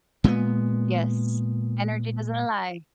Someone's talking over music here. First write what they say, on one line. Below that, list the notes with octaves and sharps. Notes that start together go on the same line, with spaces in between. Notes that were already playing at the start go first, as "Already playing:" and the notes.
Yes. Energy doesn't lie.
A#2 G#3 A3 B3